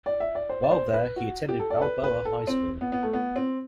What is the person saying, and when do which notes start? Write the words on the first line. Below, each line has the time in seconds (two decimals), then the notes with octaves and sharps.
While there he attended Balboa High School.
0.06 D5
0.20 E5
0.35 D5
0.49 C5
0.64 D5
0.71 C5
0.94 B4
1.16 F#4
1.49 G4
1.60 A4
1.70 D5
1.77 A4
1.82 B4
2.04 B4
2.25 A4
2.47 C4
2.81 B3
2.92 B3
3.03 A3
3.13 B3
3.36 C4